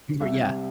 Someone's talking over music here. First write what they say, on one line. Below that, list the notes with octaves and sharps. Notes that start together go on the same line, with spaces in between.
M great, yeah.
C2 E5
C3